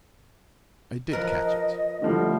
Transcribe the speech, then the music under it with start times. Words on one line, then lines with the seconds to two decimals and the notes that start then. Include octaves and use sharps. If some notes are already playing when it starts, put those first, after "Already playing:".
I did catch it.
1.12 F3 A#4 B4 D#5
2.02 D3 F3 G3 A3